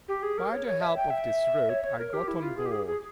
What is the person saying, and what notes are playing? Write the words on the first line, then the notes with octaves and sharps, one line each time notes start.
By the help of this rope I got on board.
G4
G#4
A#4
C#5
C#5
E5
G5
E5
C#5
C#5
A#4
G4
E4
F4
G#4
G4
G#4
G#4